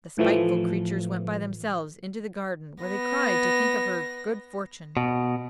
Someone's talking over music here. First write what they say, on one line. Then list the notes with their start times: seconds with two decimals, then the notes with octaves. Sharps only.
The spiteful creatures went by themselves into the garden, where they cried to think of her good fortune.
0.18 A2 E3 F3 A3
2.82 B3 A#6
4.97 B2